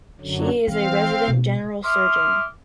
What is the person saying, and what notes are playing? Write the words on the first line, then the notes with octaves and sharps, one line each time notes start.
She is a resident general surgeon.
F#2 D3 F#3
E3 C4 F5
B2
E5 C6 D6 D#6 F6